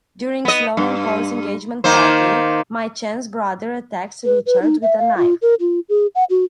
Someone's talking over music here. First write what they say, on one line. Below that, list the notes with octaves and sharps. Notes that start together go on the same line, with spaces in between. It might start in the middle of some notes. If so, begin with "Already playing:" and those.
During Sloan and Paul's engagement party, Mai Chen's brother attacks Richard with a knife.
B3 D#5
G2
D#3 A#3 C5
B4
B4
D#4
E5
F5
F4
A#4
F4
G#4
F#5
F#4